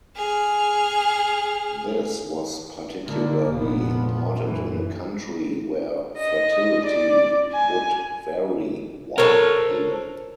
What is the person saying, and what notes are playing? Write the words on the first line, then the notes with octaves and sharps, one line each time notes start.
This was particularly important in a country where fertility would vary widely.
G#4 F6
D3 A#3
F1 F2 A#2 B3
F3
F#2 E3
D#5
D5
G#5
A4 A#4 C5 C#5